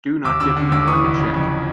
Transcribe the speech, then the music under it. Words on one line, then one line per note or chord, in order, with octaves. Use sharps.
Do not give him a blank check!
D#2 D6 E6
D3 D6 E6
D3
D#2 D6 E6
E3 C#6 D#6
F1
C#3
F2